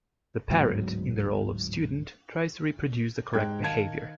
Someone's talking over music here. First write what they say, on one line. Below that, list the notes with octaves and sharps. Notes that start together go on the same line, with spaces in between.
The parrot, in the role of student, tries to reproduce the correct behavior.
D1 G#2 F#3 B3
G#2 G5 F#6 G#6
D#3 F5 A5 G#6